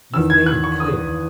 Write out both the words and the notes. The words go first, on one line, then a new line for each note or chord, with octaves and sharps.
You've made it clear.
E2 D#3 E6
G#6
F#6
C#6
D#6